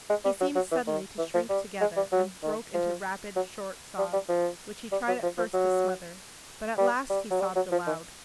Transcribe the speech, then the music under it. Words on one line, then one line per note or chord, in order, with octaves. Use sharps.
He seemed suddenly to shrink together and broke into rapid, short sobs, which he tried at first to smother, but at last he sobbed aloud.
G#3
G3
F#3
F#3
E3
D#3
E3
F3
G3
G#3
G3
F#3
D#3
F3
F#3
G3
G3
F3
G3
F#3
F3
F3
F#3
G3
G3
F#3
G3
F#3
F3
D#3